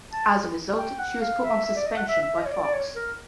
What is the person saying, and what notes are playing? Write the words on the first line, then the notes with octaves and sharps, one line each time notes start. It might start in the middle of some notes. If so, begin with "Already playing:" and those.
As a result, she was put on suspension by Fox.
A5
G5
F#5
F5
E5
E5
D5
D#5
F#5
E5
E5
D#5
C#5
D5
D5
C#5
A#4